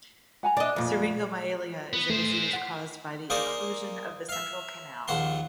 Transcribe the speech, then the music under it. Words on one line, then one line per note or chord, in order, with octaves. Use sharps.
Syringomyelia is a disease caused by the occlusion of the central canal.
F#5 G#5 A#5
D4 D5 D#5
F2 A#2
B3
A3 G#4 C5
F#5 B6 C7
A#3 D#4 G#4 C5 D5 D#5
E5 F5
A#1 D#2 F#5 A5 C6